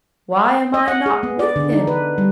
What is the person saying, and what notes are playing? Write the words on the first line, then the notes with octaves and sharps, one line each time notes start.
Why am I not with him?
D#5
F#5
G#4
B3
D5
D3
D#4
B4
G3